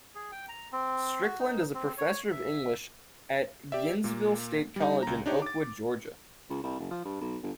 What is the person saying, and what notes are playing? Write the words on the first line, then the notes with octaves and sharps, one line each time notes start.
Strickland is a Professor of English at Gainesville State College in Oakwood, Georgia.
G#4
G5
A#5
C4
F#4
D#4
C4
C#5
E5
G4 D5 E5
A#2 A#3
G3 D#4
C#2 A#5
D4 D#4 G4 C#5
D6 A6
C#2
C2
F#1
F3
G2
B1
G1